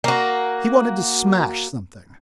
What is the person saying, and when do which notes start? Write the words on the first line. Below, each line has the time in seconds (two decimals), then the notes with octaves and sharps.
He wanted to smash something.
0.04 A#3 F#4